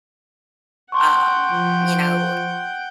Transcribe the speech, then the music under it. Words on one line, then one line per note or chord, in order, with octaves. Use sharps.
um, you know,
F#5 G5 A5 C6 C#6
F3